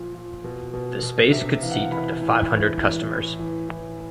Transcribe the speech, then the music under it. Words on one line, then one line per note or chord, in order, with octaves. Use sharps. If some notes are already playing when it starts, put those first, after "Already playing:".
The space could seat up to five hundred customers.
Already playing: A#2 F3
F3
B2
B2
B2
C3 E5
E3 F5
F#5
F5
E3 B5
A2
E3
E3
A2
E3
E3